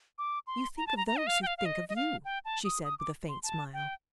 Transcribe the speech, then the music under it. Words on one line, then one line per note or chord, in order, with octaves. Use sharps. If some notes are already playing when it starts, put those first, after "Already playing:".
"You think of those who think of you," she said with a faint smile.
D6
C6
A#5
A5
A#5
A#5
D#5
F5
G5
F5
F5
D#5
D#5
F5
G5
A5
D#6
D#6
D6
C6
A5
G5